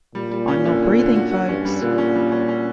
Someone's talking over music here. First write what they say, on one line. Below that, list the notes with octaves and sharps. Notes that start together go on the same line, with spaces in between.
I'm not breathing folks!
A#2 G3
G3
C#4
D3
D3
D3
F#4
F#4
G2 C#4
G3
A#2 D3
C#4
G3
C#4
C#4